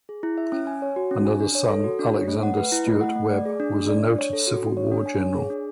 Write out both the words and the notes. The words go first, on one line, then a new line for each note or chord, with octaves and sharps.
Another son, Alexander Stewart Webb, was a noted Civil War general.
G#4
E4
E5
C#4
G#5
C#5
F#4
C#4
G#5
D4
C#5
A4
F#4
D4
C#5
A3
F#5
B4
E4
A3
F#5
A3
D5
G#4
D4
A3
D5
D4
C#5
A4
F#4
D4
C#5
D4
G#5
C#5
G#4
D4